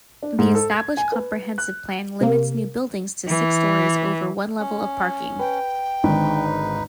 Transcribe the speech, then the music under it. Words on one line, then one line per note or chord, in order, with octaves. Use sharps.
The established comprehensive plan limits new buildings to six-stories over one-level of parking.
D4
G#2
A4
G#6
G#5
B4
F#6
C3 A#3
E3
C#4
B4 G5
G#1 G#2 D3 D#4 B4